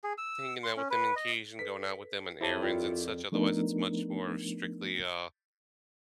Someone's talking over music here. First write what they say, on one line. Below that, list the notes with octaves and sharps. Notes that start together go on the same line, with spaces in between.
hanging out with them on occasion, going out with them on errands and such, otherwise, it's much more strictly a
G#4
E6
C6
C#4
B4
D#5
A4 B4 B6
F2 E4 G4 C5 C#5 A5 D#7
F4 A#4 D5 G5
F3 A3 B3 D4 D#4 A#4